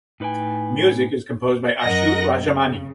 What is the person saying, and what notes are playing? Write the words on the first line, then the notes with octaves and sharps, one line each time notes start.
Music is composed by Achu Rajamani.
A2 D#4 B4 C#5 G5 G#5
F#2 A#4 D#5 F#5 A#6
C#3